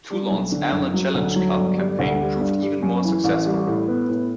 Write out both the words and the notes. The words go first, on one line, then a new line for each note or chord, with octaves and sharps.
Toulon's Amlin Challenge Cup campaign proved even more successful.
G3
B1
D3
F#1
F#3
D2
F#3
G1
G3
D2
G3
G2
G3
F#2
E3
A1
G3
A2
B3
A2